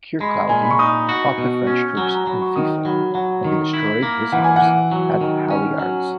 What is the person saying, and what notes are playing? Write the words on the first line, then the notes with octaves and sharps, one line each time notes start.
Kirkcaldy fought the French troops in Fife and they destroyed his house at Halyards.
G#3 B5
A#2 G#5
B5
C#6
D#4 D#6
F#4
B2
C#4
F#3 G#5
A#5
F#3 B5
C#6
D#3 D#6
F#3 B5
F#3 F#5
D#3
E4
A#3
E3 F#5
G#5
F#5
E3
F#3
D#3
C#4
F#3